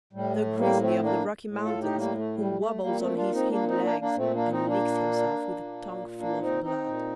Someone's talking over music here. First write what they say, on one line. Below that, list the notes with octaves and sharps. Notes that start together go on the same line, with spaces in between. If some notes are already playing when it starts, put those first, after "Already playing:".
The grizzly of the Rocky Mountains, who wobbles on his hind legs, and licks himself with a tongue full of blood.
A2 G3
A3
G3 A#3
A3 C4
A#3 D4
A2
F4 A4
D#4 G4
G3 A#3
A3
G3
A3
A#2 G3 A#3
A3 C4
D4 F4
C4 D#4
A#3 D4
C4 D#4
A#3 D4
A#3 D4
A#2 A3 C4
A#3 D4
C4 D#4
A#3 D4
A#2
A#3 D4
C4 D#4
C4 D#4
A#2